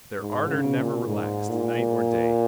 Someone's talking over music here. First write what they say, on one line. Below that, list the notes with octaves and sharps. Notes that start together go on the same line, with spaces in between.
But their ardor never relaxed, night or day.
G#2
C#3
A#2
G#2
A#2